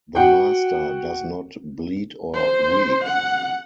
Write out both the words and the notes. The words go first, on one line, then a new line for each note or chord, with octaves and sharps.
The Master does not bleed or weep.
F#4 F#5 G5
C5
F#5